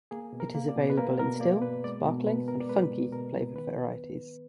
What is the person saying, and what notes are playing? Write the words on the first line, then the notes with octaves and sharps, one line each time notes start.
It is available in still, sparkling, and "funky"-flavoured varieties.
A#3 G#4
B2
A#4
A#3
D5
B2
B4
A#3 A#4
B2 A#4
A#3 D5
B2 B4
G#3 D5
B2 A#4
B2 B4
B3 A#4
D5
G#3 B4
B2
B2 A#4
B3
D#3 B4